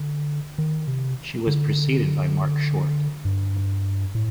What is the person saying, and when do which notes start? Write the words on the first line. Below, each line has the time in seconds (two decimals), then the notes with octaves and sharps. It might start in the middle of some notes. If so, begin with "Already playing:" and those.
She was preceded by Marc Short.
Already playing: D3
0.58 D#3
0.87 C3
1.47 D3
3.25 G2
4.15 A2